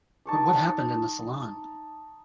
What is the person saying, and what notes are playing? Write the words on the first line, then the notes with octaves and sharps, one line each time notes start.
But what happened in the salon?
D#4 A5 C#6 D6